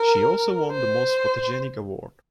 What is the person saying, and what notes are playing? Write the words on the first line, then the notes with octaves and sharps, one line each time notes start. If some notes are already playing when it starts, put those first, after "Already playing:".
She also won the Most Photogenic Award.
Already playing: A#4
C5